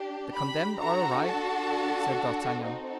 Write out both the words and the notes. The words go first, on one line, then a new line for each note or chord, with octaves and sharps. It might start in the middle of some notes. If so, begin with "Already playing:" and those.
"The condemned are arrived," said D'Artagnan.
Already playing: D4 G4
B5
D4 F#4 A4 A#5
A5
C4 D#4 F#4 A4